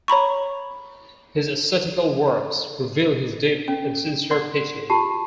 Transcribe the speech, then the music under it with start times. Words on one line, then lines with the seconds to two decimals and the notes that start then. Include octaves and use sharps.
His ascetical works reveal his deep and sincere piety.
0.08 C#5 A#5 B5 C#6
3.68 C#4
4.31 D5 F#5 C6
4.90 F4 G4 A5